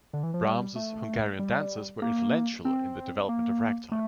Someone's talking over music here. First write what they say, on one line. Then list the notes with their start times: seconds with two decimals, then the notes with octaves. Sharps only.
Brahms's "Hungarian Dances" were influential in the development of ragtime.
0.13 D3
0.23 E3
0.34 F3
0.44 G3
0.76 A3
1.39 G3
2.02 A#3
2.65 C4
3.29 A#3
3.92 A3